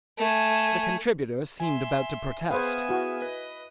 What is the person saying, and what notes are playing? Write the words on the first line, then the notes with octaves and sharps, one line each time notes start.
The contributor seemed about to protest.
A3 G#5
E5 G#5 C6
B3 G#4 B4 C5 E5 F5 G#5
E4 F#4
B4 D#5